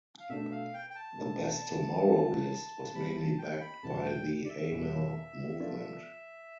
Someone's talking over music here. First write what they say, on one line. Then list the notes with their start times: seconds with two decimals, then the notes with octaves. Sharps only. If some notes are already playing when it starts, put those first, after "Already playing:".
The "Best Tomorrow" list was mainly backed by the Amal Movement.
0.20 F5
0.29 B2 A3 D4 A4 E5
0.52 F5
0.74 G5
0.90 G5
0.95 A5
1.18 B2 A3 D4 A4
2.07 E3 G3 C4
2.94 E3 G3 C4 B5
3.17 A5
3.38 G5
3.61 B5
3.83 E2 B2 G3 A5
4.05 G5
4.45 D5
4.49 E5
4.72 E2 B2 G3
5.60 F3 B3 F4 A4 D5